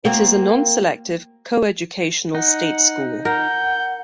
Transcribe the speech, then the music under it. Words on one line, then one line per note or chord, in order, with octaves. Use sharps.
It is a non-selective, coeducational state school.
A#3 C4 F#4
D#4 F#5
A#4 F#5 G6